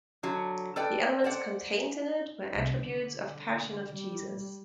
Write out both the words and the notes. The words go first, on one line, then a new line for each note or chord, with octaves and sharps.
The elements contained in it were attributes of Passion of Jesus.
D3 F#3 F#5
A4 B4 D5 G5
C5 D5 F#5
C2
D3
G3